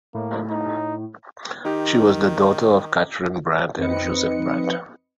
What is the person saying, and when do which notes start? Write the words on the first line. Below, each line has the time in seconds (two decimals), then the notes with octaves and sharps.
She was the daughter of Catharine Brant and Joseph Brant.
0.14 A2 A#3
0.50 D#4
1.65 D#3 D#4 G4
3.78 F2 C4 D#4 B4 D#5 C#7